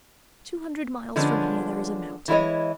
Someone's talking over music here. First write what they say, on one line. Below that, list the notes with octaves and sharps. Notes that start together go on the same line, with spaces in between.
Two hundred miles from here there is a mountain.
D3 F3 G#3 B3 C#4 D4
E3 G#3 E4 F4 C#5 D#5